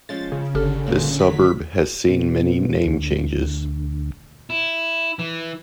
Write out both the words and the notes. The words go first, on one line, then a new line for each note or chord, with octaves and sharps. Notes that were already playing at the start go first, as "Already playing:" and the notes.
This suburb has seen many name changes.
F3 G#3 C#4 A6
C#3
G1 D3 G4 A4 F6
G2 A#2 C4
F#3 B6
B2
D2
E4
E3